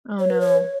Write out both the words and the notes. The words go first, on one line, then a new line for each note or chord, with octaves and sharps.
Oh, no.
C#5
B4
C#5